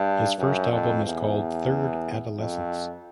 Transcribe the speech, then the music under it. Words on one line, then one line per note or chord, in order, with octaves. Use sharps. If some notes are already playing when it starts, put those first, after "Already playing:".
His first album is called Third Adolescence.
Already playing: G2
F#2
F2
E2
F2